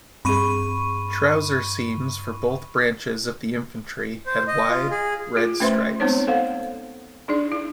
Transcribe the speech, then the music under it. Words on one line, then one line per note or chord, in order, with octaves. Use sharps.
Trouser seams for both branches of the infantry had wide red stripes.
G2 C4 G#4 B5 C#6 D#7
C5
D#5
F4
G#4
F4 G#4
A3 C#4 B4 C5 E5 C6
G#3 B3 C4 D#4 C5 C#5
A4 C5 F5 F#5
D4 D#4 G#4 D5
E4